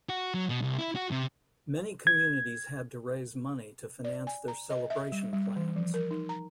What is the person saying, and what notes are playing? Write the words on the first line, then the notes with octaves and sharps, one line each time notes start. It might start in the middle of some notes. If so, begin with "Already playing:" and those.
Many communities had to raise money to finance their celebration plans.
F#4
F#3
B2
C2
E4
F#4
C3
G#6
D5
G#5
A#5
D#5
E5
G3
G3
E3
F3
A#4
D#4
A#5